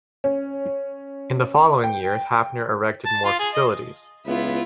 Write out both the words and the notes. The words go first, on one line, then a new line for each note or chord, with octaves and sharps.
In the following years, Haffner erected more facilities.
C#4
G5
A5
F4
G#4
D#5
C#2 B3 E4 F4